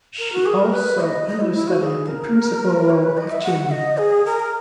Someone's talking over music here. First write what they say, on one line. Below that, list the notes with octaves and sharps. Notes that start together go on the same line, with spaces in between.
She also understudied the principal role of Jean.
A#4
F#4
G#4
A#4
B4
E5
D#5
D#5
E4
E4
F#4
G#4
A#4
C#5
B4
D#5
E5
F#5
D#5
G#4
A#4